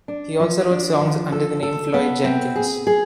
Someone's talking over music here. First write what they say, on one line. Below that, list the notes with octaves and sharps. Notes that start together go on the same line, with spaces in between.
He also wrote songs under the name Floyd Jenkins.
D4
F3
D4
F3
A4
A4
B3
C4
G#4
G#4